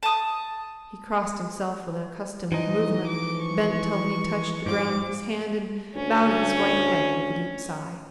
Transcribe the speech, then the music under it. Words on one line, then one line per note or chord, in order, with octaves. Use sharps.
He crossed himself with an accustomed movement, bent till he touched the ground with his hand, and bowed his white head with a deep sigh.
A5 D#6
E3 F3 D#4 D#5
D6
C#6
G#2 F3 G3 D6
D2 C#4